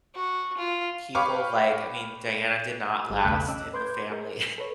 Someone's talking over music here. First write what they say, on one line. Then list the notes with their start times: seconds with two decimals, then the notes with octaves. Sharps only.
people like I mean, Diana did not last in the family.
0.15 F#4
0.58 F4
1.15 G4 B4 C#5 F5 C#6 D6
3.10 G1 G3 G#4
3.24 B1 E2 C#3 A3 F#6 B6
3.48 C#4 D#5 D6 E6 F#6
3.73 B4 C6 D6 G6 G#6
4.10 G#4 A#4
4.58 A4 B4 C#5